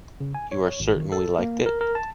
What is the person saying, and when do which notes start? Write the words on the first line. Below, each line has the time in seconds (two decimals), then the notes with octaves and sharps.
You are certain we liked it.
0.20 C#3
0.35 G#5
0.52 C#5
0.80 G#1
0.96 D#3
1.12 A4
1.39 A#3
1.66 A#4
1.81 A#4
1.95 A5